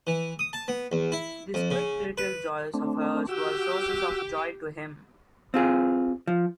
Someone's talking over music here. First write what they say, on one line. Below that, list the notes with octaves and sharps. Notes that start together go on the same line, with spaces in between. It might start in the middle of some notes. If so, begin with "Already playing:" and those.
These quick little joys of hers were sources of joy to him.
E3
D#6
A5
B3
E2
E4
F2
C#3
B4
A3 C4 D4
F#4 G4 E6
C4 F4 G#4
F3